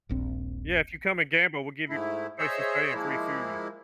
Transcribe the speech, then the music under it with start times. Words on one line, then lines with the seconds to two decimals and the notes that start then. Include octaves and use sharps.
Yeah, "If you come and gamble, we'll give you place to stay and free food."
0.09 D#1 A#1 C4
1.89 G#2 A3 E4
2.39 G#4 C5 C#5 D#5 E5 E6
2.94 F3 G#3 A#3 E4